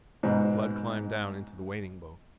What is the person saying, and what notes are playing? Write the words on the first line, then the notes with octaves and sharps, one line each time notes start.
Blood climbed down into the waiting boat.
G#2 B2